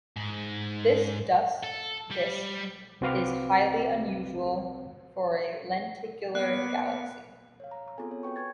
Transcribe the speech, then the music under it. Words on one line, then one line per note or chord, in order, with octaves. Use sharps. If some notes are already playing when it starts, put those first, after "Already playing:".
This dust disk is highly unusual for a lenticular galaxy.
G#2
A4
G3
C2 C4 F#4 B4 F5 D6
A#3 B3 F#6
C#5 F5
A#5
B3 C4 F4 G#4 A4 G#5
C#5
F#4 B4 G5 C#6
B4 G#5 C#6 G#6 A6